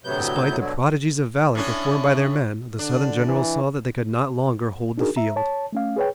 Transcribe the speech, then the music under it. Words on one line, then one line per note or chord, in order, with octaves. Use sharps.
Despite the prodigies of valor performed by their men, the Southern generals saw that they could not longer hold the field.
D2 A2 C3 F#3 B3 G6
B2 D3 F#3
A2 C#4 D4
D3 D4
E3
D4 D#4 F#4 G#4 A#4
E5 A#5
C#5 A5
A3 C#4 F5
G#4 B4 C#5 G5